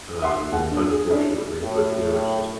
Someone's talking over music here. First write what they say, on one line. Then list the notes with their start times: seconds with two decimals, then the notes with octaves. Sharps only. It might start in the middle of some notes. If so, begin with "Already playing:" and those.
um, unfortunately, but, you know, it's just
0.22 E5 F#5 C6
0.52 D#2 G#4 F#5
0.70 D4
0.91 G#4
1.10 C#4 D4 E4 D5 D#5
1.62 F#2 A2